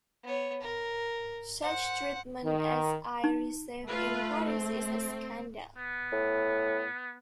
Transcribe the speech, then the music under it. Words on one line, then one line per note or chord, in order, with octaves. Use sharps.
Such treatment as I received in Paris is a scandal.
B3 C#5
A#4
C5 F#5
D#3
D#4
A3 F4 B4
C4
B3
A2